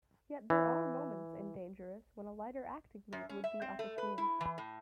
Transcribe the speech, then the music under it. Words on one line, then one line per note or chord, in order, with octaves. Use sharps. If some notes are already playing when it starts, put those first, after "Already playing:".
Yet there are moments in "Dangerous" when a lighter acting mood would be opportune.
E3
F#2
C#4
E5
C4
A3
B4
E4
E3
A2